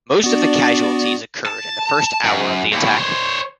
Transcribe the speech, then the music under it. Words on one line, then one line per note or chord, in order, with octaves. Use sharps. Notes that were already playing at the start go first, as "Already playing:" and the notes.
Most of the casualties occurred in the first hour of the attack.
B3 D4 F#4 D5
A5
F#2
D#2 B2
C5 C#5